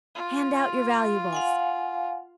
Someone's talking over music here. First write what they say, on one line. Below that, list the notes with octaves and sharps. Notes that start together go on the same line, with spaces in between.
"Hand out your valuables!"
F4
F5 F#5 G#5